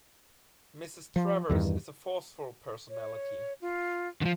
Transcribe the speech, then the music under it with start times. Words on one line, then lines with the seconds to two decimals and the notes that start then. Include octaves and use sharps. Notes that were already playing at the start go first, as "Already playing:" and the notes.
Mrs. Travers is a forceful personality.
1.16 F3
1.49 E2 G2 D#3
2.90 C#5
3.61 F4
4.21 D3 F3